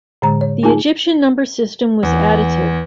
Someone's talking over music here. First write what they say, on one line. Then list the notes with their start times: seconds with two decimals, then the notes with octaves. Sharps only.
The Egyptian number system was additive.
0.22 A2 D3 G#3 A#5
0.41 C#5
0.63 A3 D#4 F4 G#4 G#5 A5
2.03 E2